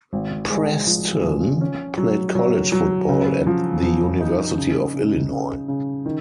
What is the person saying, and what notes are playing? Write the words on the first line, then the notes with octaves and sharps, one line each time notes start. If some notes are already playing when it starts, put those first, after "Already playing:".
Preston played college football at the University of Illinois.
G#1
G#3
F3
F3
C#4
F#3
F#3
F#3
C#3
F3
F3
D#4
C#3
C#3
C#3
C#3
D#3